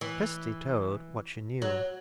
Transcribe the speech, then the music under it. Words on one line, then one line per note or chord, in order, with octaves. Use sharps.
Kirsty told what she knew.
E3
F#3